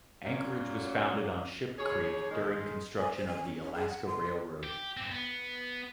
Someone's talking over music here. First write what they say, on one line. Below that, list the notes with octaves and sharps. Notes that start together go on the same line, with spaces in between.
Anchorage was founded on Ship Creek during construction of the Alaska Railroad.
F#2 A#2 F#3
D#2 G#4 C#5
D#3 G#3
G#5
C5
G#5
C#4
C#4
G#4
F#5
C6
G4
G2 C4
B3